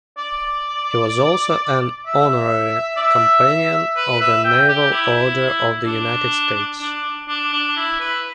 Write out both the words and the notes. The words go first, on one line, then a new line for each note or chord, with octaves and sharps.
He was also an honorary companion of the Naval Order of the United States.
D5
E5
D5
E5
B4
E5
G5
G4
E4
D4
D4
D4
D4
E4
B4